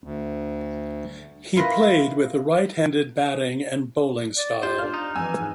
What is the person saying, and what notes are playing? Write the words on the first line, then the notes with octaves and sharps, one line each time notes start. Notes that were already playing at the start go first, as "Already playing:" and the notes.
He played with a right-handed batting and bowling style.
D2
E4 F4 A#4 B4 D#5
D5
F4 G4 C5
D4 F5 F6
D#4
F2 E3 G#5 E6
G#2 F#6